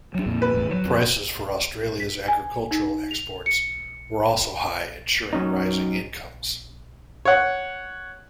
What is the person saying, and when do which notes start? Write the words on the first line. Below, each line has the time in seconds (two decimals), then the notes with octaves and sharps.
Prices for Australia's agricultural exports were also high, ensuring rising incomes.
0.14 F#3 D4
0.26 F2 A#2
0.42 B4
0.54 G#1 E2 A2
0.69 D#3 F#3
0.86 F2
2.00 B6
2.28 G#5
2.71 D#4
3.11 F7
3.46 C#7
5.33 F#3 C#4 D#4
7.25 C#5 F#5